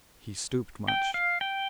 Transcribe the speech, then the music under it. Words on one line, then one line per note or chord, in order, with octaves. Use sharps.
He stooped much.
G5
F5
G5